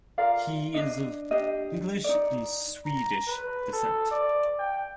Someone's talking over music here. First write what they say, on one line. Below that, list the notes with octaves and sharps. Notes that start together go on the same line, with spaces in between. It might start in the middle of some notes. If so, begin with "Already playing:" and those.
He is of English and Swedish descent.
F4 A#4 D5 F5
D4 D#4 D#5
D4 G4 D#5
D#4 D5
A#5
B4
A4
D5
G5